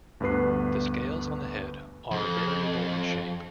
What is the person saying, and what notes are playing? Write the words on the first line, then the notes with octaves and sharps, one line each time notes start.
The scales on the head are variable in shape.
D2 G2 B3 B4 C7
F2